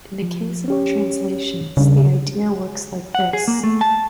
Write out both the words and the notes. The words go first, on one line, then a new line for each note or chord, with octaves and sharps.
In the case of the translations the idea works like this.
F3
C#4 G4 C#5
C#3 G3 D4
F#5
G#4
A#3
A3
A5